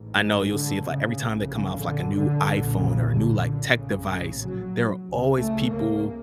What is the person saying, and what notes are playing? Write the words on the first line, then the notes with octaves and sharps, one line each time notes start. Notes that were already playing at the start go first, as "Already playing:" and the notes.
I know you'll see if like, every time they come off, like, a new iPhone or a new, like, tech device, there are always people
Already playing: A1 G#2
G#3
D3
C#3
A#1 A2
C#3
D3
D3
B1 A#2
C#3
D3
D3
A#1 A2 C#3
C#3
F#3
C#2 C#3
A3
A#3